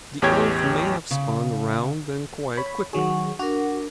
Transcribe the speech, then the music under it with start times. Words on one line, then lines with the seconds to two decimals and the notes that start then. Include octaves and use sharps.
The earth may have spun round then quite quickly.
0.22 A1 E2 G4 C#5 G5 G#6
1.11 C#3
2.57 C#5 B5
2.93 D#3 F#3 G#4 F#5 C#6
3.39 D4 F#4 A#4